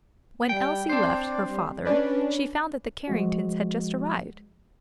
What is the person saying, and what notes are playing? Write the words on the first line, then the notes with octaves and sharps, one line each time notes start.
When Elsie left her father she found that the Carringtons had just arrived.
G3 G5
C4 D4 C5 D5
G3
C#4 D4 B4
F3 G#3 F#4